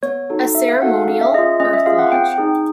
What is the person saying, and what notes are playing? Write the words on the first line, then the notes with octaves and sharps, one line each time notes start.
A ceremonial earth lodge.
B3 C#5
D#4 F#4 A4
B3 E5
F5
D#4 F#4 A4 F#5
F5
C#4 F5
E5
F4 G#4 D#5
C#4 D#5
E5
F4 G#4 F5
F#5
C4 G5
D#4 G#4